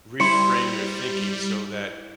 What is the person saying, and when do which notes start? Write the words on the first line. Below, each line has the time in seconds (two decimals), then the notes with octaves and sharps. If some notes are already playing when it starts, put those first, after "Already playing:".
reframe your thinking so that
0.20 G3 E4 C5 C#7